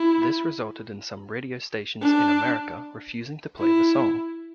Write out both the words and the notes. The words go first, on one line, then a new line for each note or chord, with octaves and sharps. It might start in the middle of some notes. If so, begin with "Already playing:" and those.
This resulted in some radio stations in America refusing to play the song.
Already playing: E4
D4
E4